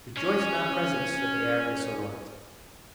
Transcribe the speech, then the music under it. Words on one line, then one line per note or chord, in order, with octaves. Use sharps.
"Rejoice in our presence!" said the Air and the Sunlight.
C#4 C#5